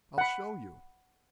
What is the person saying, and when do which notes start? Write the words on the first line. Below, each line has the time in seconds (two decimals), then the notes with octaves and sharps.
I'll show you.
0.18 F#5 B5